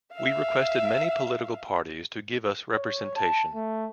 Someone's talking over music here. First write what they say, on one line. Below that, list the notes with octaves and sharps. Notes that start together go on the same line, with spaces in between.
We requested many political parties to give us representation.
E5 F5
C#5
A5
A3